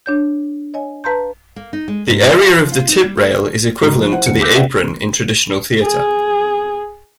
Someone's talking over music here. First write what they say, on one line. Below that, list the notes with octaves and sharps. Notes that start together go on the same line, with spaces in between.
The area of the tip rail is equivalent to the apron in traditional theatre.
D4 C#5 G6
C#5 D#5 G#5
B4 F5 A5 A#5 C6 G6
A#3
D#4
G#3
G#2
F4
F3
F4
D#4
G3
A3
G#2 F#4 A#4 A#5
F3 C5
E4 C5 F#5
E1 D#2 D3 F#5 C#7
D6 E6 F#6 G6 B6
F#4 B4 D5 E5 F#5 G5
G#4